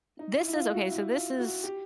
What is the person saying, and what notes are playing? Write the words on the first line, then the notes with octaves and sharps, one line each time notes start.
this is okay, so, this is
D#4
E4
E4
F4
F#4
E4
F4
F#4
G4